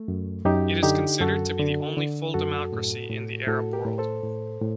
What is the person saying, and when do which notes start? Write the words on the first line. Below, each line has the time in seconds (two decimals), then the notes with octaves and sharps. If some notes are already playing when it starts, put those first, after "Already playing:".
It is considered to be the only full democracy in the Arab World.
Already playing: A3
0.08 F#2
0.45 F#2 D#4 G4
0.83 D3 D#4 G4
1.21 F#2 F#4 A4
1.59 D3
1.97 D3
2.34 F#2 F#4 A4
2.73 A2
3.10 A2
3.47 A2 F#4 A4
3.73 G4 A#4
3.85 A2
3.98 A4 C5
4.23 A2
4.61 A2